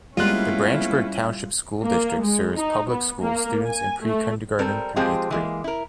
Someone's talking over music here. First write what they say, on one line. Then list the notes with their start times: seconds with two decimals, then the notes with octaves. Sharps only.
The Branchburg Township School District serves public school students in pre-kindergarten through eighth grade.
0.17 G3 G#3 A#3 B3 C#4 E4 F4 F#6
1.83 A#3
2.22 G#3
2.56 D#4
2.89 B3
3.21 A#3
3.67 G#5
4.04 A3
4.59 G3 C4 A4 A#4
4.96 F3 G#3 C4 F4 G4 G#4
5.31 E3 G#3 A#3
5.64 E4 A#4